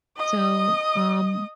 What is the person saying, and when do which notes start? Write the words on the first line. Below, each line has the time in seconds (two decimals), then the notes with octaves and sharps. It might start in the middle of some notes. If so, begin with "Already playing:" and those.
So, um
0.17 D#5 D#6